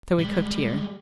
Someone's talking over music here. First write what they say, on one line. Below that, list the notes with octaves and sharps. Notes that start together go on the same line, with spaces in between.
So we cooked here.
G3 G#3